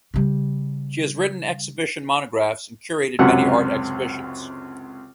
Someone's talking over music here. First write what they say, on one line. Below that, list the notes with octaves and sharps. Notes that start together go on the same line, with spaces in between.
She has written exhibition monographs and curated many art exhibitions.
C#3 G3
C#2 F#2 C3 F#4 F#5